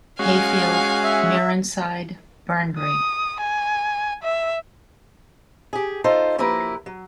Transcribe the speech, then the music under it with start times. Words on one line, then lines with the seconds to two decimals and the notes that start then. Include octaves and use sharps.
Hayfield, Mearenside, Burnbrae.
0.19 G#3 C#4 F#4 F5 G#5
1.04 E5
2.80 D#6
3.41 G#5
4.23 E5
5.73 G4 G#4
6.04 D#4 F4 A4 C5
6.38 F3 A#3 E4 G4 A#4 B4
6.86 F#3